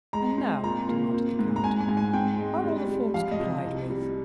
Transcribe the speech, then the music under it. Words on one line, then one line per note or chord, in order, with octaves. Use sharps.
"And now," demanded the count, "are all the forms complied with?"
G#3 A#5
C4
A#2 A#5
A#3
C4
G#2
A#5
G#2 G#5
G#5
G#2
G#5
C4 G5
G#3
G3
G3
F3 F5
D#5
C3
C2
G3